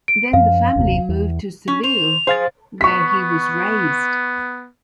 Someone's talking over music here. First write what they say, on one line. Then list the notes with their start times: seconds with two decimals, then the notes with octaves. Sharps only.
Then the family moved to Seville, where he was raised.
0.08 D7
0.33 F#2 F3 F5
0.76 F#1 D#2 C3
1.09 E2
1.68 C#4
1.84 C5 F7
2.27 G#4 C5 F5 A6
2.81 B3 C#6 B6